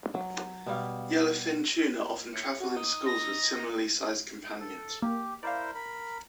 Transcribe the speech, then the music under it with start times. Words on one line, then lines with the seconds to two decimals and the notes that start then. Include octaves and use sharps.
Yellowfin tuna often travel in schools with similarly sized companions.
0.14 F#3
0.66 B2 G3 F5
2.33 A2 C#7
2.60 F#4
2.77 D#4 D#6
3.06 A#6
4.60 A4
5.02 A#3 G4
5.43 E4 A#4 C5 D5 F5
5.74 A#4 B5